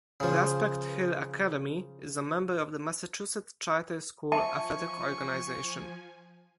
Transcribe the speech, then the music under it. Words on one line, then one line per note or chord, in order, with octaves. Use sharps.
Prospect Hill Academy is a member of the Massachusetts Charter School Athletic Organization.
C#3 F3
F3 E5 G#5 A5 C#6